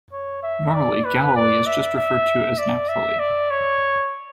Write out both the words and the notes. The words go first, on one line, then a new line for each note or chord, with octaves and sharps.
Normally, Galilee is just referred to as Naphthali.
C#5
E5
D5
B4
D5
E5
E5
D5
E5
D5
C#5